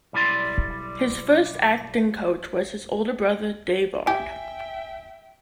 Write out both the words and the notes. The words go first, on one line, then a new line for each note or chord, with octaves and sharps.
His first acting coach was his older brother, Davood.
B1 G3 E4 D5 C6
G4 E5 G5 G#5